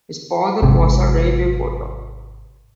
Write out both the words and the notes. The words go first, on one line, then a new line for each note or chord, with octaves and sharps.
His father was a railway porter.
G#1 G#2 C3